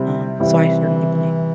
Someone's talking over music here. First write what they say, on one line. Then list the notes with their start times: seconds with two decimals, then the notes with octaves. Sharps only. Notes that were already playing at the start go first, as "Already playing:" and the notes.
Um, so I certainly believe
Already playing: C3 G3 C4 E4
0.39 C3 E3 G3 C4 E4